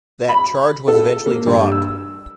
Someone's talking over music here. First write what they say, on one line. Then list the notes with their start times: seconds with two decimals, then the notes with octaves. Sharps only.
That charge was eventually dropped.
0.29 B5
0.88 A4
1.26 A#3
1.47 G2
1.72 E6